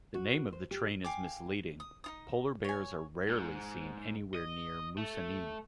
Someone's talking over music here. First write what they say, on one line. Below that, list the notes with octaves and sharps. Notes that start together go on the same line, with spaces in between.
The name of the train is misleading-polar bears are rarely seen anywhere near Moosonee.
F#4
C5
G4
F5 G5 G#5 D6
D#6
D#4 F4 D#6
C#5 G#5
G#2
D#5
A3